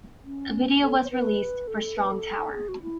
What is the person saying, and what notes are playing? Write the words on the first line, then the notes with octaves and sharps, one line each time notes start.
A video was released for Strong Tower.
C#4
A4
C#5
B4
A4
B4
A4
G#4
F#4
E4